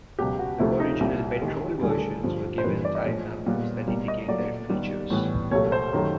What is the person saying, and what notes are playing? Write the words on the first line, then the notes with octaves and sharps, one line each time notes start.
The original petrol versions were given type numbers that indicate their features.
C#2 B2 F#3 B3 G4
F#4
D2 C3 F3 A3 E4
D#4
C2 A#2 G3 E4
D#2 D#3 G#3
D2 D3 G3 G#4
A4
G#4
G2 D3 F3
C5
G2 E3 G3 B4
D5
D#5
A2 F3 G#3
A#2 G3 B3
B2 G3 A#3
D#5
A#2 F#3 A3 D5
D#2 D#3 G3 B3
A2 E3 G3 B3
C2 A#2 F#3 A3 C#5
C#5
C5
F#2 D#3 F#3 A3